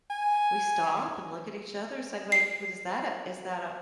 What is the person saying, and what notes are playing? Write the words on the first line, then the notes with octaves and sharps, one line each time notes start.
we stop and look at each other and say, "Wait, what is that a is that a
G#5
C7